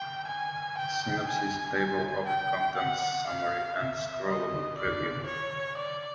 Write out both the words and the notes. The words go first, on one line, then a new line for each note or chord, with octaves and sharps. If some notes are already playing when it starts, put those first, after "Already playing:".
Synopsis, Table of Contents Summary and scrollable preview.
Already playing: G5
G#5
G5
G#5
G#5
G5
F#5
F5
E5
D#5
D5
C#5
D5